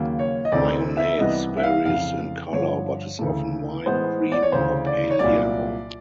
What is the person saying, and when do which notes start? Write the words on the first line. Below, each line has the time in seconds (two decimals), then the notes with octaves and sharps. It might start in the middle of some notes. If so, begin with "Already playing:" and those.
Mayonnaise varies in color, but is often white, cream, or pale yellow.
Already playing: D#2 C#3 F#3 A#3
0.19 C#5
0.45 D#5
0.52 D2 C3 E3 A3 C4 D5
0.97 E5
1.19 C2 C3 E3 G3 B3 D#5
1.57 E5
1.63 F5
1.86 F2 C#3 E3 F5
2.52 G2 D3 F3 C#5
3.19 D2 C#3 E3 A3
3.86 A2 E3 G#3 B3 C5
4.32 D5
4.42 C#5
4.52 D2 C#3 E3 C5
4.87 D5
5.10 C#5
5.19 C2 A#2 F#3 A#3 D5